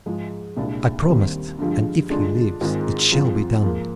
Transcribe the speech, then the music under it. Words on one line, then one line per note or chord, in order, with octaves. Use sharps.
I promised, and if he lives, it shall be done.
G#2 F3 G#3
C2 A#2 G#3 D4
D#2 D#3 G3 C4
G2 D3 F3 G#3
D3 G#3 D4 F4
G#2 D#3 G#3 C4 F4
G#2 F3 C4 F4
G#2 F3 A#3